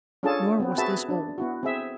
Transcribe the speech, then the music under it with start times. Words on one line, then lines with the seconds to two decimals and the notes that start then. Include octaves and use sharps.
Nor was this all.
0.23 C#4 D4 F4 G#4 A4 A5
0.60 B3 C4
0.78 F#4 G#4 B4 E5 A5
1.09 D4
1.38 B3 E4 F#4
1.63 C4 G#4 E5